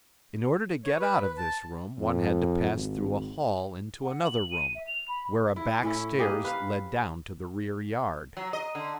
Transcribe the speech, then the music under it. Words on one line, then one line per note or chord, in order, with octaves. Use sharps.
In order to get out of this room one had to pass through a hall into another room, where a back stairs led down to the rear yard.
C#5
B4
B4
A5
F2
G#1
F#5
F#7
D#7
E5
F7
B5
E4
A2 C#4 E4
A#3 G4 G#4 D#5
B4 F5
F#3
D#5
D3